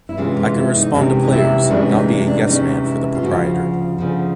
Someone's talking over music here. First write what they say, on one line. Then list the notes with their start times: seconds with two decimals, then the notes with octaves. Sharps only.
I can respond to players, not be a yes-man for the proprietor.
0.09 E4
0.17 C3 E3 G#3 C#4 F4
0.36 F4
0.56 E4
0.75 D#4
0.94 C3 E3 G#3 C#4 D#4
1.23 D#4
1.32 E4
1.64 D#4
1.70 C3 E3 G#3 C#4 D4
1.89 D#4
2.08 D4
2.27 D4
2.47 C3 E3 G#3 C#4 D#4
2.85 E4
3.15 F4
3.23 D2 C#3 F3 F#4
3.98 D2 C#3 F3